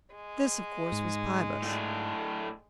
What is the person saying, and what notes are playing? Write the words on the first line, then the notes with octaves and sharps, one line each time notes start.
This, of course, was Pybus.
G#3
G#2
A2 A3 D4